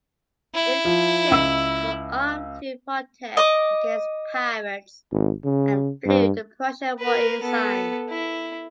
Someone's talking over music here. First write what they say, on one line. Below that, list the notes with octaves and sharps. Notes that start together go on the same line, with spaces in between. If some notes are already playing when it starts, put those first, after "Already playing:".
Its ships were armed to protect against pirates and flew the Prussian war ensign.
E4
F3
C#2 E6
D#5 D6
G#1
C#3
G2
A#4 B4
B3 A4
E4